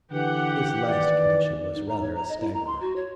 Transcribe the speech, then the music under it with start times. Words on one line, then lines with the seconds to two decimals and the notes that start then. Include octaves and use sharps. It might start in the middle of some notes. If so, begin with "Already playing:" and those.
This last condition was rather a staggerer.
0.11 D3 E3 G4 F#5
0.88 D#3 D5
1.74 D#4
1.88 A#5
2.01 C#5
2.15 A#5
2.28 D#5
2.40 E4
2.53 A#5
2.66 C6
2.80 F#4
2.95 C#5